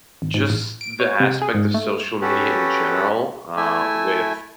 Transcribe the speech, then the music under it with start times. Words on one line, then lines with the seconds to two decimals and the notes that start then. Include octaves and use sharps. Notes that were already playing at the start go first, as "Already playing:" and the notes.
just, the aspect of social media in general, uh, with
0.22 G#1
0.34 G#2
0.50 A1
0.81 D7
1.00 C#5
1.20 C3
1.42 G#4
1.54 G#2
1.74 A3
2.21 C#4 F#4 G4 A4 B4
3.57 A3 E4 E5 G#5